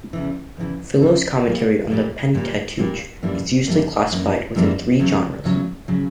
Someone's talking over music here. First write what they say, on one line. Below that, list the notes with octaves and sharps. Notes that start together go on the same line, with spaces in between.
Philo's commentary on the Pentateuch is usually classified within three genres.
E2 C#3 E3
E2 C#3 E3
E2 C#3 E3
A#2 G3 A#3
A#2 G3 A#3
A#2 G3 A#3
A#2 G3 A#3
F#2 E3 G3 A#3 D4
F#2 E3 G3 A#3 D4
F#2 E3 G3 A#3 D4
F#2 E3 G3 A#3 D4
E2 C#3 F#3
E2 C#3 F#3
C#3 F#3